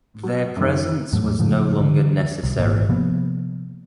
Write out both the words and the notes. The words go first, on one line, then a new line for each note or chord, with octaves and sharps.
Their presence was no longer necessary.
F#3
F#2 D#3
E2 A2 F#3 A3
A2 C#3 F3 A3
D3 E3
C2
G#1 A#2
C3 F3 A#3 B3